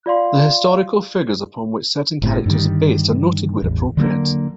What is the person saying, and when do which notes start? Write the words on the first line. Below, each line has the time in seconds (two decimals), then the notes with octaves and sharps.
The historical figures upon which certain characters are based are noted where appropriate.
0.06 F4 D5 F5 C6
2.22 G1 A2 C3
2.46 G2 D3 D#3 G3
3.62 A1 E2
3.97 D3 F#3 G#3 A#3